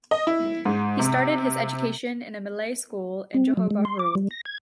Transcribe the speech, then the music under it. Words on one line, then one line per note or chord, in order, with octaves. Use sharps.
He started his education in a Malay school in Johor Bahru.
D#5
E4
G#2
C3
C4
F#3
G#3
C6
D6
G3
A#6
G#6